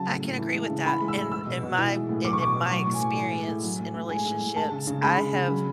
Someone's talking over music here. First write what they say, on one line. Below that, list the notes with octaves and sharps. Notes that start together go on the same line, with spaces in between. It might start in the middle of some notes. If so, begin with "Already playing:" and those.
I can agree with that, in in my i in my experience in relationships, I have
Already playing: C#3 F#3 A5
A2
A2
E3
G#3
C#3
E3 B5
G#3
E6
A2
G#3 E6
B2
B2
E3
G#3
A2
F#3 D6
C#6
B2 D6
B2
F#3 C#6
A2
G#5
A2
E3
G#3
A2
F#3
A2
A2
G#3 G#5
A2
A2
G#3 A5
C#3
C#3
G#3 B5
C#3
C#3
F#3